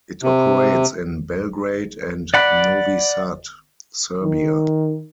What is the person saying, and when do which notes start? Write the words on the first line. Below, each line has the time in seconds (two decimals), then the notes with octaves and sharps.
It operates in Belgrade and Novi Sad, Serbia.
0.23 C3
2.34 D5 F#5 B5
4.23 D#3